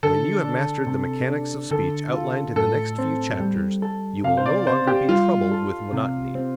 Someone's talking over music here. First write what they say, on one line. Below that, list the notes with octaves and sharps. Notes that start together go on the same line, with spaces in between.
When you have mastered the mechanics of speech outlined in the next few chapters you will no longer be troubled with monotony.
D3 A4
D4
C3
D4
D3 A4
F4
A2 A4
C4
G3
A4
C3 F5
C5
D5
C4 C5
G4
G3 F4
A4
C3
C4